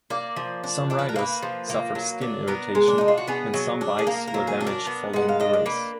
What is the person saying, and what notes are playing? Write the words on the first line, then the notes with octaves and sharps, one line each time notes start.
Some riders suffered skin irritation and some bikes were damaged following the race.
A#3 D5
F3
D4
D4 D5
B4
A#4
A#3 B4
F3
A#3
F#3
D4
B3 A#4
G#3
D4
D4 D#4
F4
F#4
B3 G#4
F#3
D4
G#4
A#3 A#4
A#4
F#3
G#4
D4
A#4
B3
G#3 F#5
F5
D4 D#5
D5
A#3 B4